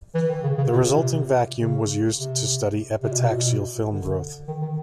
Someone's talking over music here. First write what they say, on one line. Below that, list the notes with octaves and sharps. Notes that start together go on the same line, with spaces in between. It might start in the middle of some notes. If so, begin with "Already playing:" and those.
The resulting vacuum was used to study epitaxial film growth.
E3
D#3
C#3
C#3
A#2
C3
C#3
C3
C3
B2
A#2
B2
D3
D#3
D#3